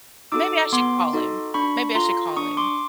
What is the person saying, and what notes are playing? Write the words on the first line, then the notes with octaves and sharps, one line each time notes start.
Maybe I should call him. Maybe I should call him
D#4 F#4 A4 D6 E6
B3 C6 D6
D#4 F#4 A4
D4 B5 C#6
F4 A4 A#5 C6
D4 C#6 D#6
C6 D6